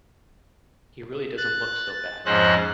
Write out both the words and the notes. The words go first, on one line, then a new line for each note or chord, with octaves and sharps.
He really doesn't look so bad.
F#6 A6
A6
F2 G#2 C#4 C5 D#5 F#6